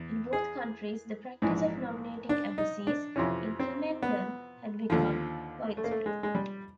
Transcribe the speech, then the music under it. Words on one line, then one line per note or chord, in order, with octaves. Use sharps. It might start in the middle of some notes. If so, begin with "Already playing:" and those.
In both countries, the practice of nominating abbacies "in commendam" had become widespread.
Already playing: E2
G#4
A#1 G#2 E3
D4
D#4
D4
F2 C3 E3 C#4
C4
B3
D#2 D3 F3
A3
A#3
A3
G#3
G#3
G3